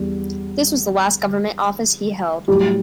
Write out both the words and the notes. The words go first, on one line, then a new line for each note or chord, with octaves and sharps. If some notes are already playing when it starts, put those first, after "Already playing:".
This was the last government office he held.
Already playing: E2 G3
A2 F#3 G3 G4